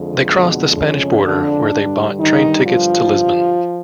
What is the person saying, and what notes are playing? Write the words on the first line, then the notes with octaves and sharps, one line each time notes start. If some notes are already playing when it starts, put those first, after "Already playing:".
They crossed the Spanish border, where they bought train tickets to Lisbon.
Already playing: F2 D3 F3 G#3
B2 B3
C#3 C#4
D3 D4
G2 D3 G3
D#3 D#4
F3 F4